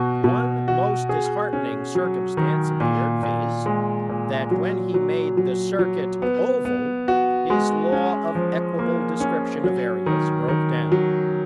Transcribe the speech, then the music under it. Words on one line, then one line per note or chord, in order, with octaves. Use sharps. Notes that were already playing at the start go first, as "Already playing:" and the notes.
One most disheartening circumstance appeared, viz. that when he made the circuit oval his law of equable description of areas broke down.
Already playing: B2 F#4
B2
F#4
G#4
C#4
F#3
D#3
A#2
A#2
G#3
A#2
F#3
F#3
F#3
F#3
B3
B3
F#4
G#3
C#4
F3
A#3
C#4
F#3
D#3
D#3
F#3